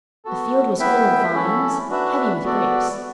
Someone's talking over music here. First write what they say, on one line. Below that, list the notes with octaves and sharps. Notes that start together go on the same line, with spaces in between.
The field was full of vines heavy with grapes.
B3 F#4 A4
B3 E4 B4 E5 G5
C#4 E4 A4
D4 F#4 B4 E5
B3 F#4 A4 D5